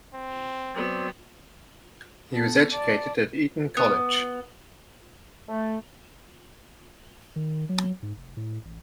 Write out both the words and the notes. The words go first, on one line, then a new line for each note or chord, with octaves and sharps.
He was educated at Eton College.
C4
F#3 B3 C4 C5 D5
B3 A4
D5 A5
B3
A3
D#3
F#3
G#2
F1
A2
A1